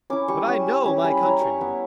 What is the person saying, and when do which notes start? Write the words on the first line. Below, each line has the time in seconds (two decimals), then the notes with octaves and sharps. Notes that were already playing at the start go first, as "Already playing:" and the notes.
But I know my countrymen.
0.10 C#4 E4 D6
0.28 G3 C#6
0.48 C#4 E4
0.67 G3
0.86 C#4 E4
1.04 G3 B5
1.23 C#4 E4 A#5
1.41 G3 C#6
1.61 B3 E4